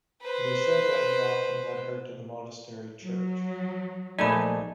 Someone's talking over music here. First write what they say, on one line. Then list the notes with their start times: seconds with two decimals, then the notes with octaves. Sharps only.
It is said that he often led her to the monastery church.
0.22 B4 C5
3.03 F#3
4.19 A#1 A3 D#4 D5 G#5 B5